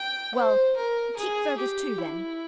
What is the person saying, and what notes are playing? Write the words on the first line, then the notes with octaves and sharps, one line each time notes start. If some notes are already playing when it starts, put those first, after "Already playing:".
"Well, keep Fergus too, then."
Already playing: G5
C5
A#4
G#4
G4
E4